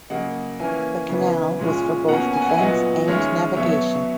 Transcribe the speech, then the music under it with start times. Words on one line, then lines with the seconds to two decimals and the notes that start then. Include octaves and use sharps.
The canal was for both defense and navigation.
0.10 C#3 F#3 A#3 D#5 F#5
0.59 E3 A#3 C#4 E5 G#5
1.09 C#3 E3 B3
1.59 A#2 G#3 C#4
2.08 B2 A#3 C#4 F#5 A#5
2.33 G#5
2.41 F#5
2.49 E5 G#5
2.58 A#2 F#3 B3 D#5 F#5
3.08 D#3 G#3 C#4 C#5 E5
3.57 B2 F#3 B3 C#5 E5